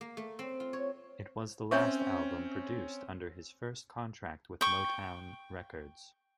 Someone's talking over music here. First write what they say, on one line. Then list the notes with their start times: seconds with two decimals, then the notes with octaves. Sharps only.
It was the last album produced under his first contract with Motown Records.
0.01 A#3
0.17 A3
0.39 C4
0.60 F4
0.73 C#5
1.71 C4 C#4 C#5 E5 C#6
4.61 G5 C#6